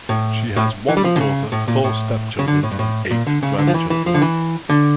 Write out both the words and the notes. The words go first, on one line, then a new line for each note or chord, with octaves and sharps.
She has one daughter, four stepchildren and eight grandchildren.
A2
A2
E3
G3
F3
D3
C#3
A2
A#2
A2
C#3
D3
A2
G2
A2
A#2
D3
C#3
D3
F3
E3
E3
F3
D3
E3
D3